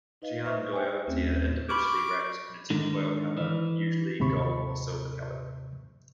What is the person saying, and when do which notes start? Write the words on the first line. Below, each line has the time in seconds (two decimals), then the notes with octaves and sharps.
Gianduiotti are individually wrapped in a tinfoil cover, usually gold or silver-colored.
0.22 D#4 B4 D#5 F5
0.46 B4 C5 D#5 E5 C#6
0.73 C5 E5 G5 G#5
1.07 D#2 A3 C4 C#4
1.69 B5 C#6 D6 F6
2.70 G#2 D3 D#3
3.37 E3
4.20 D#2 G#2 C3 B5 C#6